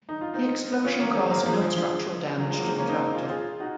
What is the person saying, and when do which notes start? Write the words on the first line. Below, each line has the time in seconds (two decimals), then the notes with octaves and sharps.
The explosion caused no structural damage to the Capitol.
0.09 D#4
0.21 F4
0.34 C4 D#4
0.85 C#4 F4
1.00 A#3 C#4
1.15 G#3 C4
1.26 C4
1.31 F#3 A#3
1.46 F3 G#3
1.61 F3 G#3
1.77 F3 G#3
2.38 F#3
2.48 F3 G#3
2.58 F#3 A#3
2.68 G#3 C4
2.78 A#3 C#4
2.89 C4 D#4
3.14 F4 G#4
3.29 F4 G#4
3.60 D#4 F#4